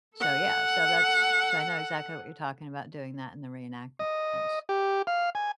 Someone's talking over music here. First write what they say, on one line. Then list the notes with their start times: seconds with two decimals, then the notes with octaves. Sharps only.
So yeah, so that's so I know exactly what you're talking about doing that in the reenactments.
0.18 A4 F#5
3.99 D#5
4.69 G4
5.07 F5
5.35 G#5